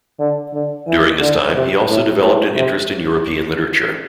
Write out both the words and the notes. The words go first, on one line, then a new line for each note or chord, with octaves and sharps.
During this time, he also developed an interest in European literature.
D3
D3
E3
D3
C3
A2
A2
C3